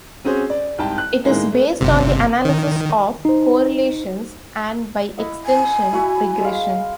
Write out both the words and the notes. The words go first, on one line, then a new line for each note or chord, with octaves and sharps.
It is based on the analysis of correlations and, by extension, regression.
C4 C#4 F#4 G#4 C5
D5
C2 G#2 G5 A5
F#6
A2 D#3 G#3 A#3
A3 B3
G1 C3
D#3
D#4 C5
E4 D#5 F#5
G#5
E4 F#4 B5
G#3 F5